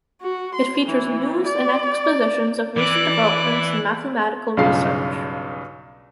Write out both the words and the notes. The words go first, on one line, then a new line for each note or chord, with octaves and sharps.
It features news and expositions of recent developments in mathematical research.
F#4
C6
E3
D5
E3 D5 D6 F#6
B1 G2 C#3 F4 F5 C7